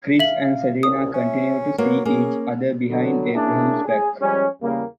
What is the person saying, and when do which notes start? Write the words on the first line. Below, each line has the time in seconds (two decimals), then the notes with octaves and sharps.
Chris and Selena continue to see each other behind Abraham's back.
0.19 E5 F5 F#7
0.83 C2 C#4 D#6
1.14 C#4 E5
1.78 F#3 A#3 B4
2.05 A#3 C#4 G#4
2.90 D3 F#3 B3
3.33 A#2 A#3 C#4 D4 E4 G#4
3.86 G#4
4.21 F3 G3 G#3 C#4
4.62 E2 C#3 G3 A#3